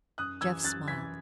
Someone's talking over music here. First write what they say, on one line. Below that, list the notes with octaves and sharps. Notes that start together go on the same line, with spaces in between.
Jeff smiled.
F#2 D#6 F#6
E3 E6 G#6
F#2 F#6 A6
E3 G#6 B6